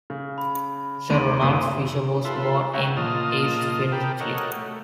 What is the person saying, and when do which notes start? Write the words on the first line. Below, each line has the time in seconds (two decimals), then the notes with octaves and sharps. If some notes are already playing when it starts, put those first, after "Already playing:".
Sir Ronald Fisher was born in East Finchley.
0.10 C#3
0.38 B5
1.10 D#2 C6 D7 D#7
1.41 F#1 C3 D#6 E6
2.25 F4 A4 B4 E5 C6
2.74 C#4 C#5 E5 F#5 G5 A#5
2.97 A#2 F4 D#5 A5 D#6 F6
3.92 G4 A#4 G5 A5 B5
4.20 A4 A#4 C#5 D#5 F#5
4.56 A3